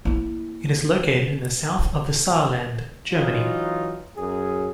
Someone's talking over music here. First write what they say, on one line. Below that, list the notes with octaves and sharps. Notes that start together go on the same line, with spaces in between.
It is located in the south of the Saarland, Germany.
A#3 E4
E3 F#3 D#4 F4
F#2 G#4